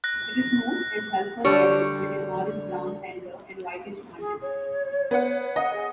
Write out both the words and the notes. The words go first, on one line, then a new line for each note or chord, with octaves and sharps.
It is smooth and sulphur yellow with an orange-brown centre and whitish margin.
F#6 A#6
D3 G3 C#5
G#4
C#5
B3 F#5
D#5 F#5
G#4